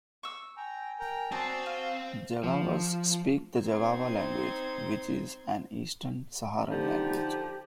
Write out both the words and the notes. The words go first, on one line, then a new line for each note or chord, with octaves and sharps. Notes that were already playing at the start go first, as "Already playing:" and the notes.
Zaghawas speak the Zaghawa language, which is an eastern Saharan language.
C#6 E6
G5 G#5 A#5
A#4 G5 A#5
C4 D4 F#4 C5 D#6 E6
F4 F5
F3
C4 D#4 C5 G#6
D3 F3 D#4 G4